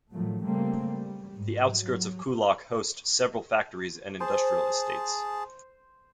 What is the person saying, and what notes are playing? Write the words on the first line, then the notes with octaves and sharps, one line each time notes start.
The outskirts of Coolock host several factories and industrial estates.
A2 D#3 F3 F#3 A3
C#3 G3 A3 A#3 C4
G3
G#2
F#3
G#4 C5 A5